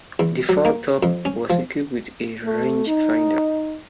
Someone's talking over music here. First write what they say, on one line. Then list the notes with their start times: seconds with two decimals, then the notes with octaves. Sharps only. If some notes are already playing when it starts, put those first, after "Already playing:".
The fore-top was equipped with a rangefinder.
0.19 E2
0.49 F#3
0.65 A#3
1.03 F2
1.25 C#4
1.50 F3
2.45 A3
2.87 D#4